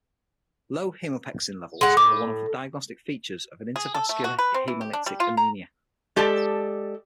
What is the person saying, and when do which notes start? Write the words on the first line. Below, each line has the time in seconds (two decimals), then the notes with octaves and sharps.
Low hemopexin levels are one of the diagnostic features of an intravascular hemolytic anemia.
1.81 G#3 F#5
1.97 A2 D6
3.76 G#4
3.94 A4
4.09 A3
4.24 F#4
4.39 B4
4.54 C4
4.68 E3
4.81 G4
4.93 D4
5.06 G3
5.20 F4
5.37 A#5
6.16 G#3 G4 A4 D5 A5